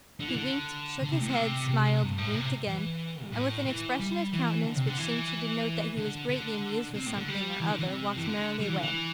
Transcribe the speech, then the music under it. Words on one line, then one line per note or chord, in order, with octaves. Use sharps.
He winked, shook his head, smiled, winked again; and, with an expression of countenance which seemed to denote that he was greatly amused with something or other, walked merrily away.
D3
E3
D3
D3
C3
A2
C3
C3
C3
G2
A2
C3
E3
G2
A2
E3
G3
E3
D3
C3
D3
E3
D3
D3
C3
A2
D3
G3
E3
D3
E3
C3
E3
D3
G3
E3
D3
E3